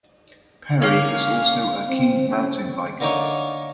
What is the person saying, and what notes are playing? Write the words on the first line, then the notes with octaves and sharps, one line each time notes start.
Perry is also a keen mountain biker.
A#3 C#4 F5
C4
C#4
D3 A#3 D#4 A#4 C#5